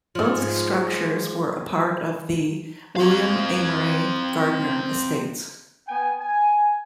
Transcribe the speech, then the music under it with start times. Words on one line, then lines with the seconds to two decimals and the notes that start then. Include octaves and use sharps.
Both structures were a part of the William Amory Gardner estates.
0.15 G#2 F3
2.96 C4 F5
5.88 B3 G5 G#5
6.19 G#5